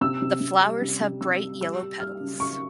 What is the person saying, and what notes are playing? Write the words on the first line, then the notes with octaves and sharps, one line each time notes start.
The flowers have bright yellow petals.
C3 E6
C3
C3
G3
C3
C3
C3 E6
G3
G3 E6
G3
G3 F6
C#3
C#3 C#6